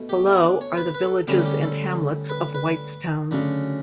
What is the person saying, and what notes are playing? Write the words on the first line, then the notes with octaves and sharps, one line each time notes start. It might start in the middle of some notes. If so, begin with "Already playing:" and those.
Below are the villages and hamlets of Whitestown.
Already playing: B2 A3
G4
E4
D4
C#5
B4
B4
A4
D2 D3 G3 C#4 G4
G4
A4
B4
B4
D2 C#3 F#3 C#4 D4